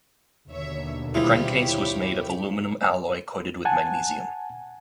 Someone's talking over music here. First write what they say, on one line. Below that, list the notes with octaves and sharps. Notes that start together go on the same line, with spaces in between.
The crankcase was made of aluminium alloy coated with magnesium.
D#2 B2 D3 C#5 E5
G3 E4 F4 G4 G#4 C5 C#5 B5
F#5 G#5 A5